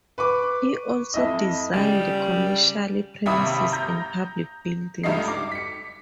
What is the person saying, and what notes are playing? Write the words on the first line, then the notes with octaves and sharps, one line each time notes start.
He also designed commercial premises and public buildings.
B4 C#6 D6
F2 E4 D#5
C#3 G3
G#1 D#2 C3 E5 B5 D#6
A#5 G6 A#6
C#2 G2 A3 D#4 D#5 C7
D6
B6 C#7